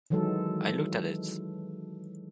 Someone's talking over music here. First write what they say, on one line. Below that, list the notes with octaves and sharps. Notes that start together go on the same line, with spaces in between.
I looked at it.
D#3 E3 F#3 G#3 A4